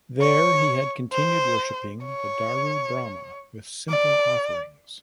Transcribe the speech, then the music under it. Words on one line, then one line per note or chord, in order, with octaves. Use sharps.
There he had continued worshipping the Daru Brahma with simple offerings.
C#5
C5
C#5
D5